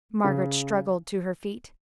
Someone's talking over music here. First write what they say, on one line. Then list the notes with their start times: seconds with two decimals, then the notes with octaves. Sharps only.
Margaret struggled to her feet.
0.24 C#3